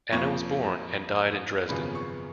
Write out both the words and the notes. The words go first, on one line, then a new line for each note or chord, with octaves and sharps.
Anna was born and died in Dresden.
F2 F3 A#3 C#6
G#1 F#2 C#3 F3 B3 B5
C#6